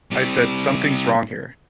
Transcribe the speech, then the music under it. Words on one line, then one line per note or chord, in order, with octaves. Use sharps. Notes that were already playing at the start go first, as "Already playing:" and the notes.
I said, 'Something's wrong here'.
C3 G3